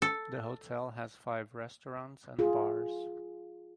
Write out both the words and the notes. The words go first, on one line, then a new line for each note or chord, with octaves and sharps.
The hotel has five restaurants and bars.
A4
F4 G#4